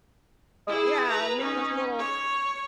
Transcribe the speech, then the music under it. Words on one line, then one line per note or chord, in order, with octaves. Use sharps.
Yeah, and make those little
E4 G#4
B4 A#5
C#4 D#4
C#5